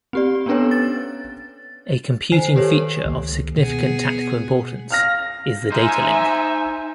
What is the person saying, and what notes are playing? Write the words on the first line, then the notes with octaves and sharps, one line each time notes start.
A computing feature of significant tactical importance is the datalink.
C4 G4 D5
B3 C#4 D4 A4 B4 C#5
A6
D#3 C5 G#5 C7
G4 A4 B4 C#5
C#2 D#3 A#3
B2 B3 G#4
F5 F6 A#6
D#4 C5 E5 G#5